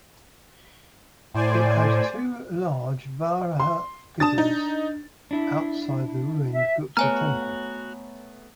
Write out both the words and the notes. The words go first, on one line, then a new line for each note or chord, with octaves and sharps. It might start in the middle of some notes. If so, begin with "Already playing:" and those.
It had two large Varaha figures outside the ruined Gupta temple.
A2 C5 D5 G#5
C6
D4 A5 D#6 A6
D#4
D4 E4
E5
A3 B3 F#4 C#5 G#5 A#5 F6